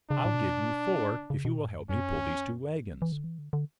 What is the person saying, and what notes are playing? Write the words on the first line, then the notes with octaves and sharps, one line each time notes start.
"I'll give you four if you will help me pull these two wagons."
C#3 D4
B2
A2
B2
A2
C#3
C#3
B2
A2
F#2
F#2 C#4
G#2
E3
E3
D3
E3
D3
D3